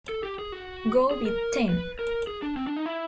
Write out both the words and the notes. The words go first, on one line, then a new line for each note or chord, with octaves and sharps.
Go with ten!
A4
G4
G#4
F#4
G#4
A#4
B4
A#4
G#4
D4
C4
D4
D#4
E4